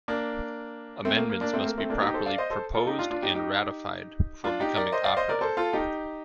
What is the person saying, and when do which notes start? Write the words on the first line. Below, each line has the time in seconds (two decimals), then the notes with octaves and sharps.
Amendments must be properly "Proposed" and "Ratified" before becoming operative.
0.08 A#3 D4
1.05 A3 C4
1.17 A#3
1.30 A#3
1.41 A#3 D4
1.54 A3 C4
1.65 A#3
1.78 A3 C4
1.90 A#3 D4
2.02 D#4 G4
2.14 A4 C5
2.26 D5 F5
2.38 C5 D#5
2.50 A4 C5
2.74 F4 A4
2.87 D#4 G4
2.99 D4 F4
3.11 D4 F4
3.23 D#4 G4
3.35 D#4 G4
4.44 D4 F4
4.60 D#4 G4
4.76 A#4 D5
4.92 C5 D#5
5.04 D5 F5
5.17 C5 D#5
5.29 A#4 D5
5.41 A4 C5
5.57 F4 A4
5.73 D#4 G4